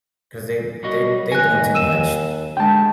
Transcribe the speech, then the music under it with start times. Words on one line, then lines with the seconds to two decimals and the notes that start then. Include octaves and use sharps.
'cause they they they doing too much.
0.83 F#3 G3 F#4 D#5
1.32 D#2 G#5 F#6 A#6
1.75 E6 D#7 E7
2.57 D3 G#3 G5 A5